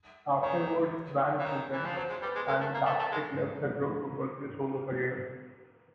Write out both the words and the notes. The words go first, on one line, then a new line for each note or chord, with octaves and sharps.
Afterwards Van Houten and Bacsik left the group to pursue solo careers.
D#3 C#5
E3
D#3 C#5
E3
F3
F#3 C5
G#3
G3 B4
G#3
G#3 A#4
A3
A#3
A3
A3
G#3